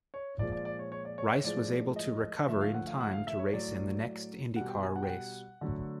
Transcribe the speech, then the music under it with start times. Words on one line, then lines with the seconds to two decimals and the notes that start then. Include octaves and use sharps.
Rice was able to recover in time to race in the next IndyCar race.
0.14 C#5
0.39 A#2 F3 G#3 D5
0.52 D5
0.65 D5
0.79 C#5
0.92 C#5
1.05 D5
1.18 C#5
1.31 C#5
1.44 A2 F3 G#3 D5
1.96 D#5
2.48 D3 F3 A3 E5
2.61 F5
2.74 F#5
2.87 F5
3.01 F#5
3.13 F5
3.27 E5
3.39 C#5
3.52 A2 F#3 A3 D5
4.56 B2 G3 F#5
4.69 G5
4.83 G#5
4.96 F#5
5.03 G5
5.09 F#5
5.61 D3 F#3 A3